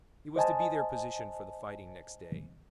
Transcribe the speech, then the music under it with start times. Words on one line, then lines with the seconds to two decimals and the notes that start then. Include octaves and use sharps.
It was to be their position for the fighting next day.
0.36 C5 D#5 G#5 A5